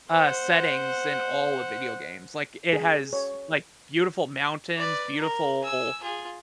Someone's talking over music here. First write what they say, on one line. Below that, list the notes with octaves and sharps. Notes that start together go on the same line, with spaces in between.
uh, settings in all of video games, like, it has, like, beautiful mountains, beautiful
C5 F#5
G#4
C#5
B4 D5
A#4
G#5 E6
F4 G#4